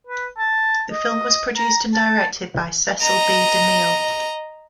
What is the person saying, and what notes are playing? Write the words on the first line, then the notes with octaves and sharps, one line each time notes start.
The film was produced and directed by Cecil B. DeMille.
B4
A5
D#5
A#5
A5
D#5 A#5